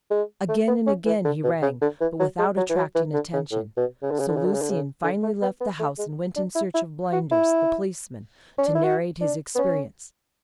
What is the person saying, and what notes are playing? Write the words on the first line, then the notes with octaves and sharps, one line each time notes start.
Again and again he rang, but without attracting attention; so Lucian finally left the house and went in search of Blinders, the policeman, to narrate his experience.
G#3
A3
B3
C#4
E3
D3
B2
C#3
D3
E3
F#3
G#3
F#3
E3
F#3
E3
D3
C#3
A2
B2
C#3
D3
C#3
D3
C#3
D3
C#3
D3
C#3
D3
A3
B3
B3
A3
G#3
D4
E4
E4
F#4
E4
C#4
D4
E4
F#4
D4
B3
C#4